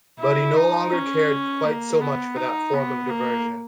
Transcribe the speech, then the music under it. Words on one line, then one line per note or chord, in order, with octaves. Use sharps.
But he no longer cared quite so much for that form of diversion.
E4
D#4
C#4
A#3
B3
D#4
B3
A#3